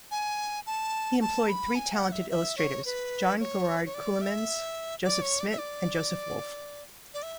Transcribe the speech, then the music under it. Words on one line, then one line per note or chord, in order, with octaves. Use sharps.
He employed three talented illustrators: John Gerrard Keulemans, Joseph Smit and Joseph Wolf.
G#5
A5
A5
B5
G#5
F#5
E5
E5
C#5
B4
C#5
B4
C#5
D5
E5
D5
C#5
D5
E5
D5
D5
E5